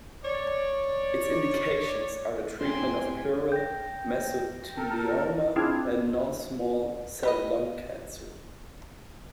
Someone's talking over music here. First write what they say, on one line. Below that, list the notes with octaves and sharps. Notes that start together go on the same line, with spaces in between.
Its indications are the treatment of pleural mesothelioma and non-small cell lung cancer.
C#5 D5
A2 C4 G4 G5 G#5 C6
G5 G6 A#6
A4 A#4
C4 D4 E4 F4 G#4
G4 B4 D#5